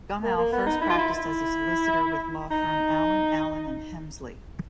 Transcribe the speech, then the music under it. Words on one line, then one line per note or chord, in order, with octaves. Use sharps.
Gummow first practiced as a solicitor with law firm Allen Allen and Hemsley.
A#3
A#3
B3
D#4
E4
F4
E4
E4
D#4